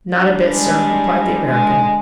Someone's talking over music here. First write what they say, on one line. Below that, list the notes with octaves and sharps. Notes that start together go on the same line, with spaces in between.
"Not a bit, sir," replied the American.
G3 D4
G#3
D3 G#3